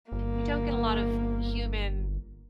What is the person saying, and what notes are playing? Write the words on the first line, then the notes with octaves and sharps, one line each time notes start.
you don't get a lot of human
G1 A#3